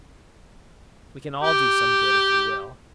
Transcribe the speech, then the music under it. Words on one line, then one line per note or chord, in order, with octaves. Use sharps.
We can all do some good, if we will.'
G4